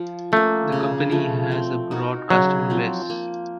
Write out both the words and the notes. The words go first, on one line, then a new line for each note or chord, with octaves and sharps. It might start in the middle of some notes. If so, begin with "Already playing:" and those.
The company has a broad customer base.
Already playing: F3
A3 A#3 C#4
C#3
F3 A3
C4
D#4 F#4 A#4
C#3 F#3
F3 C4
A#3